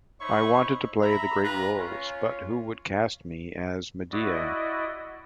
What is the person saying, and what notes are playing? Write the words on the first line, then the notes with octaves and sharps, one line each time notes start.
I wanted to play the great roles but who would cast me as Medea?
D#4 C5 C#5 E5 B5 C#6
E5 A#5 B5
F4 G4 B4 A#5
C#4 F4 C#5
E4 F#4 D5 D#5